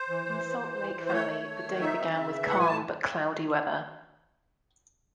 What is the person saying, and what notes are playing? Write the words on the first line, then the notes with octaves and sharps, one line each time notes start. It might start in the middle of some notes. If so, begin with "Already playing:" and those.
In Salt Lake Valley, the day began with calm but cloudy weather.
Already playing: C5
E3
E3
E3
E3
E3
E3
C5
A3 C#5
A3
A3
D#3
D#4 E5
C4
C#3
E3
A2 F#5
G#5
A2 A5